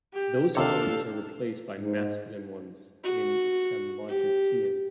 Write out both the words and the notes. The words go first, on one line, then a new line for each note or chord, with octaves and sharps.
Those forms are replaced by masculine ones in Samogitian.
G4
D#2 C3 D4 G4 A4 C#5 F5
G#2
F#4
G4